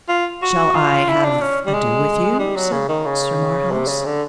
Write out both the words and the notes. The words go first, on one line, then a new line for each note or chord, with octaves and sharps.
Shall I have ado with you? said Sir Marhaus.
F4
F#4
F4
E4
D4
C#4
G3
G#3
G3
F#3
C#3
D#3
C#3
C3
C#3
D3